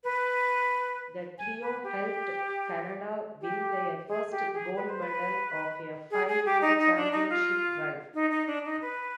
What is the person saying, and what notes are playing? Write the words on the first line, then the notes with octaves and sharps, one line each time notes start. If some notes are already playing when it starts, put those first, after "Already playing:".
The trio helped Canada win their first gold medal of a five-year championship run.
B4
G#5
B4
G4
G4
G#4
G4
G#4
B4
C5
B4
G#4
G#4
G4
D#4
D#4
D4
D#4
F4
D#4
D#4
D4
D#4
B4